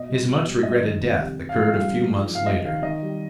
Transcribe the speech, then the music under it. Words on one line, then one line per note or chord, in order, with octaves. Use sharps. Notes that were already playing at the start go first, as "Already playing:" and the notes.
His much regretted death occurred a few months later.
Already playing: B2 D#5
G3
B2
G3
G2 D#5
D#3
F2
C3
C3
F5
F3
F5
G2 F5
F3
G#2
F3
F5
C3 D#5
D#3 F5
D#3 D#5
G3